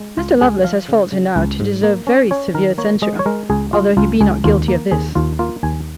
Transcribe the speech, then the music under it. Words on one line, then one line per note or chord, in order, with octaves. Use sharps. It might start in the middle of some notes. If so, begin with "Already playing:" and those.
Mr. Lovelace has faults enow to deserve very severe censure, although he be not guilty of this.
Already playing: G#3
C#2 F4
C#2 G#4
F3 F5
C#3
C#3
C#2
G#2
A#3
C#4
C#4 C#5
D#3 A#4
A#3 C#5
G#3 D#5
C#5
G#3 A#4
C#2 G#4
G#3 F4
C#2 F4
C#2 G#4
D#2 F4
A#3
D#2 G#4
D#2 F4
A#3 F4
D#2 G#5